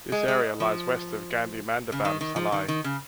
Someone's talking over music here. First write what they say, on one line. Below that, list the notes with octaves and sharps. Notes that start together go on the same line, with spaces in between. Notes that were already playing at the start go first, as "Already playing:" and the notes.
This area lies West of Gandhi Mandabam Salai.
G#3
G#3
F3
C#3
D#3
D#3
F3
D#3
D#3
C#3